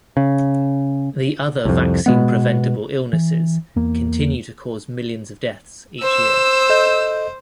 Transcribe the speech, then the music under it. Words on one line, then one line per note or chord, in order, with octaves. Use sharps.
The other vaccine-preventable illnesses continue to cause millions of deaths each year.
C#3
C2 F2
B2 G#3 B3
E3
E2 A#3
C5 E6
A4 D#5 G6